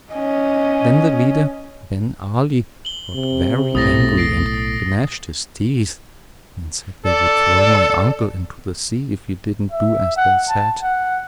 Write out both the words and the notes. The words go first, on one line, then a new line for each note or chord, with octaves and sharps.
Then the leader, Ben Ali, got very angry and gnashed his teeth, and said they would throw my uncle into the sea if he didn't do as they said.
C#4 D#5
F#7 G7
C3
B1 A2 D#6 A6 A#6
A#6 C7 D7
A4 D5
E5
F#5
A5
F#5